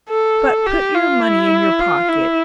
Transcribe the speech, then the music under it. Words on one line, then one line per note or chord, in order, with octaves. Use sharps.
But put your money in your pocket.
A4
G4
F4
E4
F4
E4